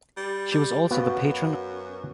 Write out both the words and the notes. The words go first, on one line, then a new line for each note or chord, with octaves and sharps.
She was also the patron of the Women's Institute of Negeri Sembilan.
G3
G3
F#2 B3 F#4 F5